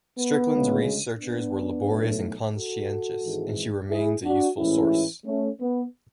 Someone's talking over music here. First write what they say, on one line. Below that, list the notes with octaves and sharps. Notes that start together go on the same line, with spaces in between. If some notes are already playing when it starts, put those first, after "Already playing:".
Strickland's researches were laborious and conscientious, and she remains a useful source.
B3
D2 C#3 G#3
B3 D4
B1 A2 F#3 A3
F#4 A4
G#1 G#2 E3 G#3
E4 G#4
D4 F#4
A1 G#2 E3 C#4 E4
A3 C#4
B3